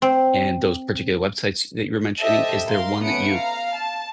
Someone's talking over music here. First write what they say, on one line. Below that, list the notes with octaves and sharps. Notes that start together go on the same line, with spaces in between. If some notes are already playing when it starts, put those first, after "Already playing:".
and those particular websites that you were mentioning. Is there one that you
C4
G4 A4 C5 D#5 E5
A#4 F5 C6
A3 B3 C#4 D#6 C#7 D7
F5 A#5
A5